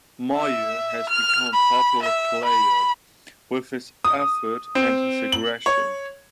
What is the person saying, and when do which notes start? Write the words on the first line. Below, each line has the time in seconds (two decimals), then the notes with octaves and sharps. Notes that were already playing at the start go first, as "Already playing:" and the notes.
Mair has become a popular player, with his effort and his aggression.
0.36 E5
1.09 F6
1.54 B5
2.03 E5
2.45 B5
4.05 D#6
4.75 C4
5.32 F#7
5.66 C#5